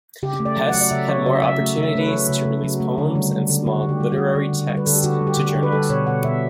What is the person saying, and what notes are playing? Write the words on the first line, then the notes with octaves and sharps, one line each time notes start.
Hesse had more opportunities to release poems and small literary texts to journals.
C#3 G4
A3
D5
F#3
F#3 F#5
D5
C#3 E5
F#3 C#5
C#3 E5
F#3 E5
A3
C#3
E5
A3 B4
C#5
F#3
C#3
C#3
F#3
A3
D3
G3
G3
D3
D3 F#4
D3
G4
G3
F#4
G3
D3
D3
G3
B4
D3 A4
G4
D3 F#4
G3
G4
D3
G4
D3
B4
G3 A4
B2 C#5
B2 F#5
B2 E5